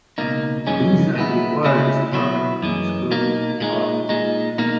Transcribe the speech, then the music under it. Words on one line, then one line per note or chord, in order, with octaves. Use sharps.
Visa requires this markup be disclosed to the cardholder.
C#2 B2 A#3 D#4
F#2 C#3 E3 G#3 C#4
A#2 G#3 B3 E4
C#3 G#3 C#4 E4
B2 F#3 B3 E4
F#2 E3 G#3
B2 A#3 D#4
A#2 G#3 D#4
A#2 G#3 D#4
B2 A#3 D#4